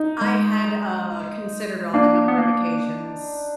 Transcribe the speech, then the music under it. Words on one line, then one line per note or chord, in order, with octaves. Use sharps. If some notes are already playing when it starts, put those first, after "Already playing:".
I had, uh considered on a number of occasions
Already playing: D#4
G#3
A#3 D4
B3
A#3